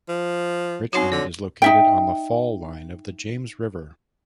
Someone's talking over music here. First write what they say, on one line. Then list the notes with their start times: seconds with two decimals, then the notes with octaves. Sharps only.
Richmond is located on the fall line of the James River.
0.08 F3
0.93 F#3 C4 D#4 F#4
1.12 D3 C#5
1.62 D#4 E5 G5